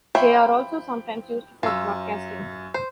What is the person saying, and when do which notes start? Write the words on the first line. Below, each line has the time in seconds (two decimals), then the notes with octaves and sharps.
They are also sometimes used for broadcasting.
0.15 F3 C#5 E5 G5 B5
1.63 F#2 F4 E6
2.74 C5